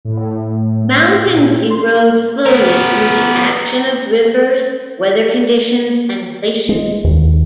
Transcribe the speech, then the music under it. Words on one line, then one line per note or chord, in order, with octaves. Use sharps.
Mountains erode slowly through the action of rivers, weather conditions, and glaciers.
A2
A#2
C6
B3 A#4
G#3
D#2